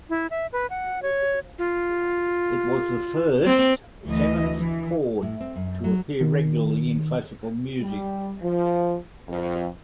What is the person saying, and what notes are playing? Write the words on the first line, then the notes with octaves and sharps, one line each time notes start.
It was the first seventh chord to appear regularly in classical music.
E4
E5
B4
F#5
C#5
F4
C4
D2 E3 D#5
E3
A2
C4
F#2
F#3
D#3
G3
F3
F2